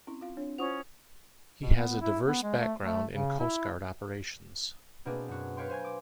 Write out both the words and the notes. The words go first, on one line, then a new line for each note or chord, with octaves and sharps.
He has a diverse background in Coast Guard operations.
C4 C#4 E4
F4 F5
D4 C#5
C#4 E4 F4 C5 F#5 C#6 D#6 F7
B2
B3
E4
B3
G#3
A3
A3
C#3
E4
B2 A#3 C4 D4 G#4
F#2 F#4
B4 C#5 F5 G5 C6
C5 G#5 C6 G#6
D6